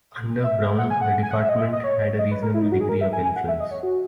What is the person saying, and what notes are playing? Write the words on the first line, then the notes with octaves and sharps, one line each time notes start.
Under Brown the Department had a reasonable degree of influence.
E5
F#5
G#5
F#5
G#5
F#5
E5
D#5
E5
D#5
C#5
D#5
B4
A#4
E4
D#4
F#4
G#4
A#4
E5
G#5
G#5
F#5
E5
D#5
C#5
F#4